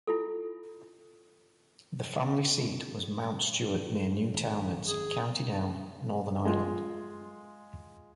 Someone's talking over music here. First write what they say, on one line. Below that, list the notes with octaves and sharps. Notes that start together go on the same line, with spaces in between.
The family seat was Mount Stewart near Newtownards, County Down, Northern Ireland.
E4 F4 A4
G#1
G#4
G#3 F4